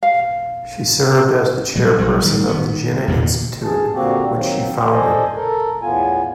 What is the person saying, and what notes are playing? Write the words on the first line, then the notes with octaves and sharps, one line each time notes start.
She served as the chairperson of the Jinnah Institute which she founded.
F5
A#2 F#3 G3
A1 F#3 G3
D#3 G3 G#3
D#3 B3
E2 G2 A#2 D#3
G#4 A5
A#2 D3 A#3 C4 F#4 G4
D#3 F#3 A#3 C4
A4 C5 D5 D#5 G#5
A4 A#4
E2 A2 B3 F4 G#5